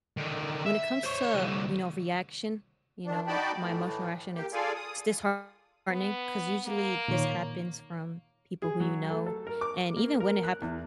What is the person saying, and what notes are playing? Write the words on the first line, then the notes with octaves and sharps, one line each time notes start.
when it comes to, you know, reaction, you know, like my emotional reaction, it's it's disheartening, 'cause usually this happens from people who you know, and even when it happens
D3 D#3
E5
C5 C#5
C2 D3
D#3 D4
D#4 F#4 D5 G5 A5 B5
A2 E3 A3
A#3 G4
F4 G#4 A4 D5 F5 G#5
D#6
B3
A#3
A#2 D#3 C#5
G#4
F#3
A3
A4
A#4
D6
A#3
A#4
F#6
E2